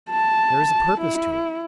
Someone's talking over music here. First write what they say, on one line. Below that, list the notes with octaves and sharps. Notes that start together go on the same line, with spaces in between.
There is a purpose to it.
A5
E4